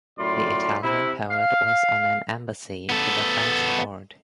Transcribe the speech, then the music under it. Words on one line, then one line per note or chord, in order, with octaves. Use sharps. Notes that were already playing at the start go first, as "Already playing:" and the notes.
The Italian poet was on an embassy to the French court.
F#2 A2 F4 D5 B5 C6
C3 E4
F5
B3 A4